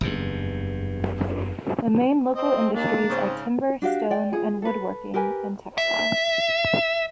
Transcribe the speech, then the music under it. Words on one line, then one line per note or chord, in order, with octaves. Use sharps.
The main local industries are timber, stone- and wood-working and textiles.
F#1 E2 G2
C4 D#5
D#2 A#3 D4
G#2 C#3 C4
D4 F#4 G4 F5
D5 G5
F4 G#4
A4 B4
G4 A#4 B4 G#5
E5